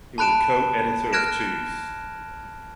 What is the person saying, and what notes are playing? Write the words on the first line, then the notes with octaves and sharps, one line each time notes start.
He was co-editor of Jews.
A5 B5 F#6 D7 E7
F6 F#6 G#6 A#6 D7 E7